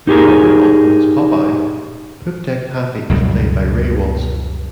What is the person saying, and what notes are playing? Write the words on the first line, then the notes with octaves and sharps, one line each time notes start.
In Robert Altman's "Popeye", Poopdeck Pappy is played by Ray Walston.
D#4 G4 G#4 A#4
C#2 F#2 B2 G3